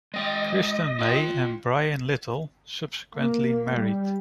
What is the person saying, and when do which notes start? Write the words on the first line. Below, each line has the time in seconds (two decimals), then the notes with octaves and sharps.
Kristen May and Brian Little subsequently married.
0.14 G#3 D#5 G5
0.99 F4 G5
3.15 A#3
3.75 G3